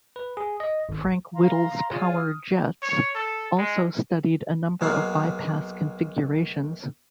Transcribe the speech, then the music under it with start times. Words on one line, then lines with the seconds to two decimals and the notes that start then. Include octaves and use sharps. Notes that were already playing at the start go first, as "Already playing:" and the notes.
Frank Whittle's Power Jets also studied a number of bypass configurations.
0.16 B4
0.37 G#4
0.60 D#5
0.89 G#1
1.33 F5 A#5 C6
1.90 F4 G#4 C#5 D5
2.14 D#6 F6
2.82 C#5
3.15 A4
3.58 G#3
4.81 B1 F#3 G#3 A#3 F5